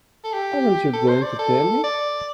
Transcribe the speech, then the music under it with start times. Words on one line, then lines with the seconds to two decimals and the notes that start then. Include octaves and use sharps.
Aren't you going to tell me?
0.24 A4
0.34 G4
0.93 A4
1.08 C5
1.23 D5
1.39 A4
1.84 D5